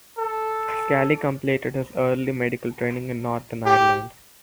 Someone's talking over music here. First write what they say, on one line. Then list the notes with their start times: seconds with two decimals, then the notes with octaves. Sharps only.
Scally completed his early medical training in Northern Ireland.
0.18 A4
3.66 G4